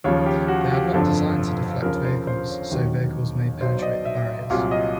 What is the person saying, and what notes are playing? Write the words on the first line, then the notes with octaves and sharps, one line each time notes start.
They are not designed to deflect vehicles, so vehicles may penetrate the barriers.
D#2 C#3 F3 C#5
G4
F#4
G4
G1 F2 D3 F3 A4
D#2 C#3 F3 A#4
C5
C5
C#5
E1 D#2 D#3 F#3
B1 B2 F#3 C5
D5
D#5
E5
C2 A#2 F#3 F5
D#5